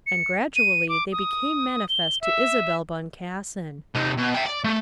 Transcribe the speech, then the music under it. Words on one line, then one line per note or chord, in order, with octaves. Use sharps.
And gradually they became manifest to Isabel Boncassen.
C#7
D#7
D6
D#6
G7
E5
C3 D#4
B2
E5 G5
D5
A3